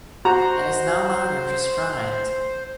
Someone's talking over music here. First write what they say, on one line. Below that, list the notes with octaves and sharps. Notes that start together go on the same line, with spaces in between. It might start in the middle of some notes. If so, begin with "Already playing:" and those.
It is no longer prescribed.
F#4 C5 A#5